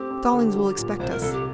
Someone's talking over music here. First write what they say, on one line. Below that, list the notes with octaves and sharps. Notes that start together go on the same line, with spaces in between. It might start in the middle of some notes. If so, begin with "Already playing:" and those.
Stallings will expect us.
Already playing: A3 C4 G4
C4
D3
F#3
A#2
C2 C5
A#4
C2 A4
G4